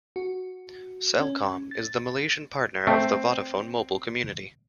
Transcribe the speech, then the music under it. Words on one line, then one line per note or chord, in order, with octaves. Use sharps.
Celcom is the Malaysian partner of the Vodafone mobile community.
F#4
C#4
A6
A3 C4